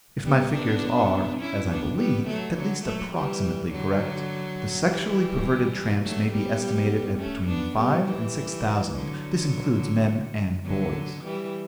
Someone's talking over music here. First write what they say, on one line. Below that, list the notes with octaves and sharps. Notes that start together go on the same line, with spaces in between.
If my figures are, as I believe, at least approximately correct, the sexually perverted tramps may be estimated at between five and six thousand; this includes men and boys.
G3 B3
B3 D4
C#4 E4
B3 D4
G3 B3
F#3 A3
D3 F#3
F#3 A3
E3 G3
D3 F#3
E3 G3
F#3 A3
G3 B3
A3 C#4
B3 D4
G3 B3
E3 G3
D3 F#3
D3 F#3
E3 G3